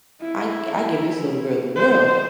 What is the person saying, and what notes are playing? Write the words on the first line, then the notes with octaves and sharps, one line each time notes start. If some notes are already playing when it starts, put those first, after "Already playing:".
I I give this little girl the world,
E4
C5